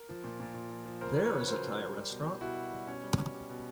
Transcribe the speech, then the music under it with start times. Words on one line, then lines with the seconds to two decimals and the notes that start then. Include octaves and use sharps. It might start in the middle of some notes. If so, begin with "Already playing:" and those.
There is a Thai restaurant.
Already playing: A#4
0.09 F3
0.24 A#2
0.40 A#2
0.54 A#2
0.71 F3
0.85 F3
1.01 C#3 A#4 C5
1.17 F#3
1.24 B4 C#5
1.33 C#3
1.48 F#3 A#4 C5
1.63 C#3
1.79 C#3
1.95 G3
2.10 B2
2.26 G3
2.41 B2 E4 F#4
2.56 B2
2.72 G3
2.87 B2 C#4
3.03 G3
3.19 B2
3.34 G3
3.50 B2